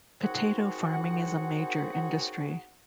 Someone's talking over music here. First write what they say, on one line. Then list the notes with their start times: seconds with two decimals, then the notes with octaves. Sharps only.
Potato farming is a major industry.
0.22 F#2 C4 D#4 F#4 G#4 F#5